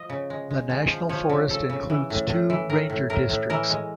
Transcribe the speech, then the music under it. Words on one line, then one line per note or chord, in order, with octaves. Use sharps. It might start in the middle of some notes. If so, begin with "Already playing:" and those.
The national forest includes two ranger districts.
Already playing: F3 D#5
C#3
G#3
G#3
G#3
F3
F3 C#5
C#3
C#3 A4
C#3
E3
A2
A2
E3
A2 A#4
A2
A2 A#4
A2
E3 A#4
G#3